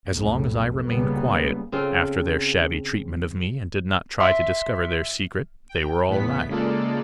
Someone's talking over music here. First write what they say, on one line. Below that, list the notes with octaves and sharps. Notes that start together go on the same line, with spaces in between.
As long as I remained quiet, after their shabby treatment of me, and did not try to discover their secret, they were all right.
B1 F2 A2
C#2 C#3 G3 A#3 B3
C#3 C4 F4 A4
E5 C6
G5
E2 A2 B3 B6
C#3 G#3 A#3 F4 A4 D5